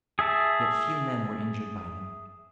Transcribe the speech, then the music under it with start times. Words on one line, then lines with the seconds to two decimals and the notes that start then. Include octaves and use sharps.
Yet few men were injured by them.
0.19 G#4 E5 A5